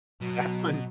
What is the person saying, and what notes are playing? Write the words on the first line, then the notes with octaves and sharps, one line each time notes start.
That one
B2 F#3